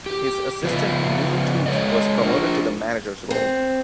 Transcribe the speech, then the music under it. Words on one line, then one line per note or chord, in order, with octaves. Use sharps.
His assistant Neil Tooth was promoted to the manager's role.
G4
C#3 F3 B3 F4 B4
G#3 A4 C#5 D#5
D4 F4 A#4
C4